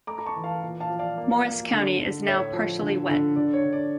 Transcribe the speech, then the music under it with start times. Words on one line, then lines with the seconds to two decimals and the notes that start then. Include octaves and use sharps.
Morris County is now partially wet.
0.07 A3 A#5 D6
0.19 A#5
0.26 A5 C#6
0.36 E3
0.44 F5 A5
0.63 A#2
0.80 F5 A5
0.89 F3
0.99 D5 F5
1.18 A#3
1.45 A#3
1.72 D3
1.99 D3
2.26 A2 C#5 E5
2.53 F3
2.81 D3
3.09 D3
3.35 D3 D5
3.54 C#5
3.64 D3
3.73 D5